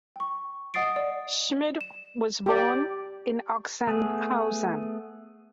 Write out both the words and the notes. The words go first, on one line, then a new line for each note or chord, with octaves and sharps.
Schmid was born in Ochsenhausen.
G5 C#6
D#5 F#5 D#6 A6 C7 D7
D5
E7
G4 D5
A3 B3 G#4